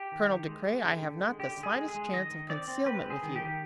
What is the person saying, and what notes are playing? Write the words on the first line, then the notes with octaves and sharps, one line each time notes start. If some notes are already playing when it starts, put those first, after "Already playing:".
Colonel De Craye, I have not the slightest chance of concealment with you.
Already playing: G4
D#3
D#3
G#3
G#3
D3
D3
G#3
D3 G4
D3
G#4
G#3
G#4
G#3
D#3 D#5
D#3
C4 D5
C4
C4 B4
G#3
G#4
D#3
G4
D#3